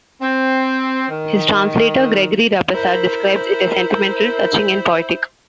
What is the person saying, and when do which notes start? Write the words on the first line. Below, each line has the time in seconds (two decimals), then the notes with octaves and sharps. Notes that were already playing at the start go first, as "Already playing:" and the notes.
His translator, Gregory Rabassa, describes it as "sentimental, 'touching' and poetic".
0.22 C4
1.09 D#3
2.73 E4 A#4 C5